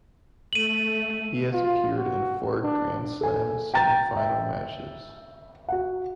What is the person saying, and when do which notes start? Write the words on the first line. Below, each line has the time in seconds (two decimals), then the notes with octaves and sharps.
He has appeared in four Grand Slam semifinal matches.
0.53 A3 D#7 F#7
1.53 F4
1.97 F#4
2.63 D4
3.21 A4 G#5
3.74 G5 A#5 A6
4.14 E5 G5
5.68 F#4 F#5